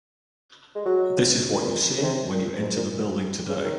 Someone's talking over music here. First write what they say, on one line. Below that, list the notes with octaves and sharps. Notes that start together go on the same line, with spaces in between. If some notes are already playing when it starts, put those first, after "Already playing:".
This is what you see when you enter the building today.
G#3
F#3
A#2
C#3
C3
A#2
G#2
A#2
C#3
D#3